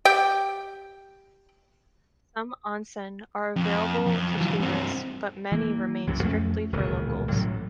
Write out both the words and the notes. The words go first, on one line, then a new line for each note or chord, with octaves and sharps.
Some "onsen" are available to tourists, but many remain strictly for locals.
G4 G5
F2
F2
E3 F#3
G2 C4
E3 A#3
C2 F#2 C3 F#3
F2 A3 C#4
E1 C#2 A#2 D#3
A1 A2 F#3 G3